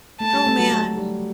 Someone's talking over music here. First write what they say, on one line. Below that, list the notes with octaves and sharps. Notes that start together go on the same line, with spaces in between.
Oh, man.
A3 A5
G3
A3
F#3
A3
G3